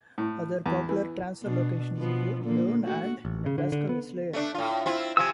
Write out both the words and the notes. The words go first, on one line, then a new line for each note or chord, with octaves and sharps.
Other popular transfer locations include Doane and Nebraska Wesleyan.
A2
E2
E3
B2 D4
B2 F3 B3
A#2 D3 A#3
A3 F#4
A1
C#3
D3
D3
B3
A3 D4
A2 F4
C4 E4 F4
C3 F3 G#5 E6